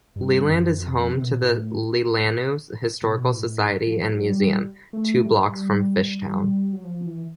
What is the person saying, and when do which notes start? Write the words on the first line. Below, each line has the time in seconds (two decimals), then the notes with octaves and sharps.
Leland is home to the Leelanau Historical Society and Museum, two blocks from Fishtown.
0.16 G2
0.47 F#2
0.79 F2
1.11 C3
1.21 B2
1.33 A#2
1.43 A2
3.02 B2
3.33 A2
3.87 F3
4.09 F#3
4.30 G3
4.93 A3
5.25 G3
6.21 G3
6.73 F#3
6.84 F3
7.06 E3